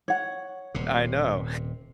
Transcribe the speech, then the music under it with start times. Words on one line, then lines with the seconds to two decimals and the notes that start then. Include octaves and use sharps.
I know.
0.08 C#5 F#5
0.75 D#1 C3